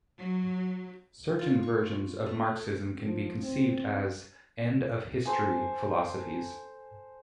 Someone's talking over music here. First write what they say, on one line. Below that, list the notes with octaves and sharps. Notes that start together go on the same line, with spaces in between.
Certain versions of Marxism can be conceived as "end of history" philosophies.
F#3
F4
C#6
A3
F3
C4
A4 C5 G#5